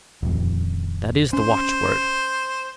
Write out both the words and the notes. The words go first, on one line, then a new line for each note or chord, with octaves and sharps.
That is the watch-word.
D#1 F2
C#4 C5